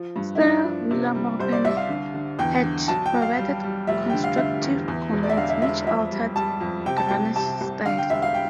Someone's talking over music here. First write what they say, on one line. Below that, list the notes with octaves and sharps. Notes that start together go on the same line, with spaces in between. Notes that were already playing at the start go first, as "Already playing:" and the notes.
Sir William Orpen had provided constructive comments which altered Gruner's style.
Already playing: F3
G2
E4
G2 D4
F3
C3
G3
C2 C5
D5
C2 E5
F5
D3
D3
E2 G5
D3
B1 A5
G5
B1
F5
G3
G3
F1 E5
D3 G5
F5
D3 E5
E2
E2
E1
D5
E5
D3 F5
E5
E1 E5
F2 E5
G3
G3 A5
F2
C3 G5
A5
C2 G5
C3 A5
C2
D3 F5
G5
E1 E5
F5
G5